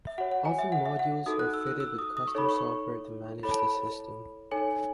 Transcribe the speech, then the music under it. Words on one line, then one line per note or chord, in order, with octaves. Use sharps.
Often modules are fitted with custom software to manage the system.
E5
F#4 C#5 F#5
F#5
G#5
E5
F#5
E5
F#5
D#4 F#4 A4 D#6
F#6
E6
F#6
E6
D#6
D#6
C#6
D#4 A4 C#5 B5
C#6
E4 A4 C#5 B5
A5
B5
D#4 A4 C#5 G#5